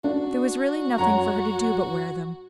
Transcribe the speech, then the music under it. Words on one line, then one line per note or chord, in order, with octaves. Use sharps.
There was really nothing for her to do but wear them.
D4 F#4
F#2 C#5 F#5 A#5